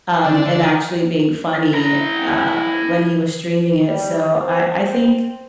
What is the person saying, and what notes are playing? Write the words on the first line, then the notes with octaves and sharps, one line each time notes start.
um, and actually being funny, uh, when he was streaming it, so I I think
D3
E4 A#5
G3
C4